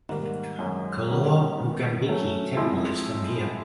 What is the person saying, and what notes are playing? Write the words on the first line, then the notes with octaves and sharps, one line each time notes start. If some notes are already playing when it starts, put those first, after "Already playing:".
Kollur Mookambika temple is from here.
G#2 D#3 G3 A#3
F#2 D#3 G#3 C#4
D#3 G3 A#3 C#4
D#3 G#3 B3
F#3 A3 C#4
F3 G#3 C4 E4